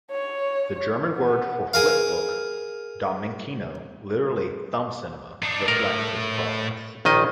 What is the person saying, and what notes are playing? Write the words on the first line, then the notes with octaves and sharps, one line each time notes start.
The German word for flip book-"Daumenkino", literally "thumb cinema"-reflects this process.
C#5
B3
G#4 A#4 F5
D4 D#4
A2 A#4
A#1 D#3 D#5